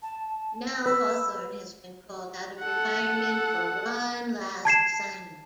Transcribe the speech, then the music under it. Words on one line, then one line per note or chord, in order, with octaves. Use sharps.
Now Hawthorne has been called out of retirement for one last assignment.
A5
B4 E6
A4 F#5
A5 G#6 C7 E7